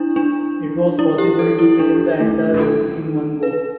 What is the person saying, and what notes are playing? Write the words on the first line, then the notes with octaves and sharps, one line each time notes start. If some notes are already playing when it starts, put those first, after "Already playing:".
It was possible to sail the entire route in one go.
Already playing: D4 E4
D4
E4
G4
A4
E4
D4
A3
A4
B4